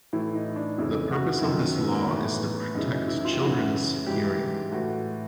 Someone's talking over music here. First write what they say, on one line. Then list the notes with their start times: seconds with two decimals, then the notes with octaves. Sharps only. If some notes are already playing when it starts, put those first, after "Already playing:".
The purpose of this law is to protect children's hearing.
0.13 A2 E3 E4
0.35 D#4
0.56 D4
0.78 F2 C#3 E3 E4
1.11 F#4
1.38 E4
1.43 F#2 D#3 F4
1.77 B3
1.91 A#3
2.05 B3
2.10 A2 E3
2.75 F#2 C#3 E3 D#4
2.92 D#4
3.08 E4
3.25 F4
3.33 G4
3.40 F#2 C#3 E3 F#4
4.06 G#2 E3 G4
4.72 A2 E3 F#4